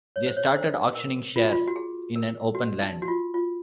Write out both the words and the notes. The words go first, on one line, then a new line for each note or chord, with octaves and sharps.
They started auctioning shares in an open land.
C#5
C5
C#5
C5
A#4
F4
F#4
F4
F#4
G#4
A#4
F#4
D#4
F#4
F4
F4